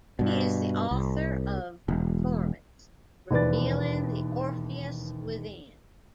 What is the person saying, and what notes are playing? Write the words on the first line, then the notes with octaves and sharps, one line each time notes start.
He is the author of "Performance: revealing the Orpheus within".
G2 B2
C2
E1
E1 D#2 F3 B4 D5 A6